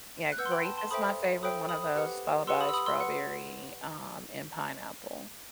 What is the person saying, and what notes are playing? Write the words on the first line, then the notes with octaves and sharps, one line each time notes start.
Yeah, grape is my favorite one of those, followed by strawberry, um, and pineapple.
F#6
B4 F#5 E6 G6
C6
G5 B5
A5 C6
A5 C6
A4 C5 E5 G5 B5 D#6
A4 C5 E5 G5 B5 D#6
B5 D#6
B5 D#6
G4 B4 F#5
G4 B4 F#5 C6 E6
B5 D#6
E6
B5 D#6
C6 E6
B4 F#5